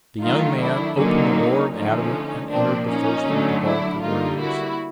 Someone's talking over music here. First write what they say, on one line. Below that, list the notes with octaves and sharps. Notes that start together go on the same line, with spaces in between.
The young man opened the door of adamant and entered the first of the vaulted rooms.
D#3 F#3 A3 D#4 F4
D4 E4
D3 F#3 A#3 C#4 D#4
D3 F3 A3 C#4 D#4
A#2 F3 A#3 C4 D4
C#4 D#4
D3 F#3 A3
D4 E4
D3 G3 A#3 D#4 F4
E4 F#4